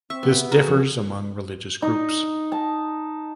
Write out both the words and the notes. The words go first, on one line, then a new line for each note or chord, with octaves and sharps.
This differs among religious groups.
C4 E5 C#6
B3
F#4 G#4 A#4
F2
D#4
A5